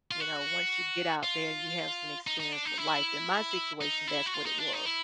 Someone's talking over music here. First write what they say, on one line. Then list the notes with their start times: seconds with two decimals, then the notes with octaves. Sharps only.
you know, once you get out there and you have some experience with life. In my situation, that's what it was.
0.11 F4
0.20 F#4
1.23 F4
2.27 D#4
2.40 D#4
2.53 D4
2.65 D#4
2.78 E4
3.81 D#4
4.08 E4
4.26 F#4
4.34 F4
4.46 D#4
4.59 D4
4.73 D#4
4.85 E4